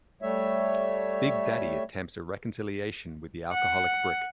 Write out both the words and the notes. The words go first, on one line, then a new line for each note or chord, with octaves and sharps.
Big Daddy attempts a reconciliation with the alcoholic Brick.
G3 A3 C#5 E5
F#5